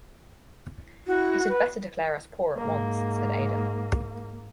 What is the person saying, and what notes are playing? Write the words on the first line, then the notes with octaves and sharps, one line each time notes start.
"It had better declare us poor at once," said Ada.
E4 F#4
B4
G#2 A#3